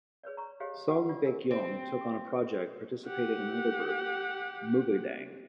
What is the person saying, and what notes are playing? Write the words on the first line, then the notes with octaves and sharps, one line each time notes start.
Song Baekkyoung took on a project participating in another group, MoogaDang.
G#4 B4 C#5 D5
A#5 C#6
G4 G#4 C5 C#5 D#5 F5
F4 F#4 G#4 B4 F#5
F4 D5 C#6
G#4 A#4 D#5 G#5
C4
G4 F#5